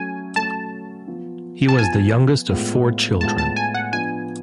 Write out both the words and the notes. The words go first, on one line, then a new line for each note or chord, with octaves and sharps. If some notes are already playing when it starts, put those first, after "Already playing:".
He was the youngest of four children.
Already playing: F#3 A3 C#4 G#5
F#3 A3 C#4 A5
F3 B3 F4
A5
F3 B3 F4 G#5
A2 G#3 B3 F4
A2 G#3 B3 F4 A5
A5
G#5
F#5
F3 B3 D4 G#5